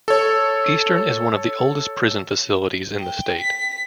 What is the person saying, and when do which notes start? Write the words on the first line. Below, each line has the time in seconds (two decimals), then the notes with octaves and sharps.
Eastern is one of the oldest prison facilities in the state.
0.08 A4 C#5
3.00 G5
3.39 B6